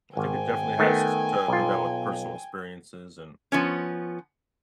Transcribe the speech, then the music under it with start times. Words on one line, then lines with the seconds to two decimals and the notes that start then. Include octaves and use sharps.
I think it definitely has t to come down with personal experiences and,
0.17 G#1 G5 G#5
0.79 D#3 A3 B3
1.48 B1 F4
3.52 F3 B3 C#4